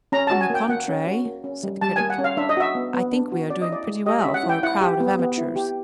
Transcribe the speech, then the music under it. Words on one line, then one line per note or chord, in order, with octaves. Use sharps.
"On the contrary," said the Critic, "I think we are doing pretty well for a crowd of amateurs."
C#4 A#5
F#4 A5
G#5
A#3 G5
A#3 F#5
C#4
F#4
A#3
C#4
G3
G3 A5
A#3 G#5
F#5
C#4
F5
D4 E5
D#5
F#4 E5
B3
B3
D4
F#4
C#4 D5
D#5
E4 D5
G#3
G4 D#5
C#4 E5
F#5
E4
G5
E4 F#5
G4
B3
B3
E4
G4